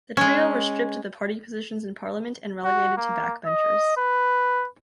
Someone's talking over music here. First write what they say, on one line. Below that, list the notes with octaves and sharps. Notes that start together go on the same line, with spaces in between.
The trio were stripped of the party positions in Parliament and relegated to backbenchers.
G#3 C#4
F#4
A#3
D#5
B4